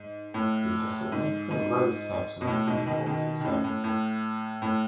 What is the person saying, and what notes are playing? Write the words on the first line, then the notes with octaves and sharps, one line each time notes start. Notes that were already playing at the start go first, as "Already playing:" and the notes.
It is a significant road connection between the Baltic states.
Already playing: G#2
A2
G#2
G#2
B2
A2
G#2 B2
B2 D#3
B2 D#3
D#3
A2 C#3
A2
A2
A2